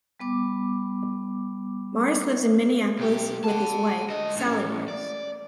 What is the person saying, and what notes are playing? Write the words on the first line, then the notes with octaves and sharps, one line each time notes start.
Mars lives in Minneapolis with his wife, Sally Mars.
G3 B3 D6
B1 G4
F#5 A5
D3 D#5
A2 C#4
D5